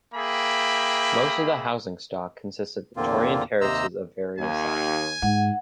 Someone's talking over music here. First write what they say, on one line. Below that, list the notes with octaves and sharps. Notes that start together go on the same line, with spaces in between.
Most of the housing stock consists of Victorian terraces of various sizes.
A#3 G#4 E5 G5 B5
E2 A#2 D3 A#3 C4 F4
D#2 C3 C5 D#5 A#5 E6
D#2 G#5
G#2 F#5